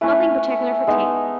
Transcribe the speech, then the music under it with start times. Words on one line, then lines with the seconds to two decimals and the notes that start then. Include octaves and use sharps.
Nothing pertikeler for tea.
0.01 A3 C#4 E4 B4
0.87 G#3 B3 D#4